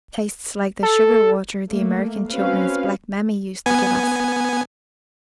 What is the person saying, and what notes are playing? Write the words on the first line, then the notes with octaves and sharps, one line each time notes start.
"It tastes like the sugar-water the American children's black mammy used to give us."
A4
A3 A#3
C4 C#4 F#4 B4 F5
B3 G#5